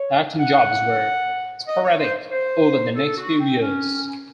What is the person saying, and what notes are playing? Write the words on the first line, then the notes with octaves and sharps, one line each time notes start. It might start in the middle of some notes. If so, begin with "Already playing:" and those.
Acting jobs were sporadic over the next few years.
Already playing: C#5
F#5
D#5
C#5
C5
C5
A4
F#4
C4
C#4